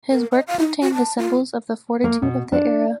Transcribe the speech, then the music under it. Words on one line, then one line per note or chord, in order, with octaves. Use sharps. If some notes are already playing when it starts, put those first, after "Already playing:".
His work contained the symbols of the fortitude of the era.
A#4
D#5
F5
D#4
F#4
A5
F4
A#3
B2
D4